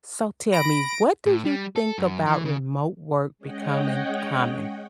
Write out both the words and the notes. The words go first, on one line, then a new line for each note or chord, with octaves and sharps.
So tell me, what do you think about remote work becoming common?
B5 A#6 D7
A2
G3
A4
F#2
E3
C#3
G#3 C#4 C#5 D#5 F#5 G5